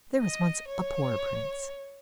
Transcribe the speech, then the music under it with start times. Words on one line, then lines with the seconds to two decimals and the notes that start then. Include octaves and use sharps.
There was once a poor Prince.
0.21 D#5
0.68 C#5